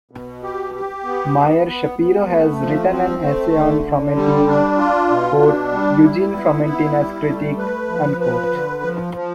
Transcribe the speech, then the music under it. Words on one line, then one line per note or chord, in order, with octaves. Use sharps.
Meyer Schapiro has written an essay on Fromentin, "Eugene Fromentin as Critic".
B2
G4
G4
B3
B3
B3
B3
A3
F3
C4
A3
D3
D3
G3
D4
F4
B2
D4
G3
E4
B3
E4
G3
A3
B4
F3
B4
D3
F3
F3